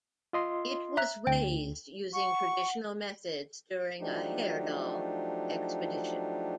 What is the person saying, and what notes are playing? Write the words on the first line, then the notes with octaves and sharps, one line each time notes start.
It was raised using traditional methods during a Heyerdahl expedition.
F4 D#5 C6
E5 A#5 F#6
D2 G5
F#5 C#6
F3 F#3 A3 D4 D#4 G4